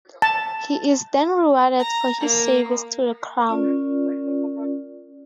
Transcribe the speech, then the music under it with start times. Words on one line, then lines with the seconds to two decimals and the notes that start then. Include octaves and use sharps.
He is then rewarded for his service to the crown.
0.22 A5
1.79 A#5
2.21 A#3
3.49 C#4 F4 A#4 D5